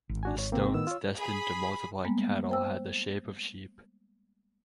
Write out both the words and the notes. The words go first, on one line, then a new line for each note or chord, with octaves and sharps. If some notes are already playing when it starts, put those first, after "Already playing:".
The stones destined to multiply cattle had the shape of sheep.
G#1
D4 F#4 G#5
C#5
C3 A#3 C4
D#3 B3 E6
F4 C#5
G#4 B5
G3 G#3 A#3 B3
C5 G5 E6